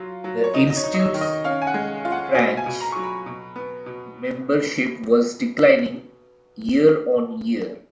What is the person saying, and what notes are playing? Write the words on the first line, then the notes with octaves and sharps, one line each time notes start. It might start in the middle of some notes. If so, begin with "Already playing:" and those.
The Institute's branch membership was declining year-on-year.
Already playing: F#3 F4
F#3
C#5
D#4 D#5
D#5
C#5
D#4
D#5
C#5
D#3
D#5
C#4 F5
G#5
F#5
G#3
F4
F#5
B2 G#5
G#5
B2
A#5
F#3 C#6
B5
B2
B3
B2